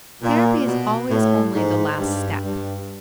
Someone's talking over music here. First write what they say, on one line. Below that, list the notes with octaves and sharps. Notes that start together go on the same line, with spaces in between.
Therapy is always only the last step.
A#2
B2
A2
G#2
G2
G2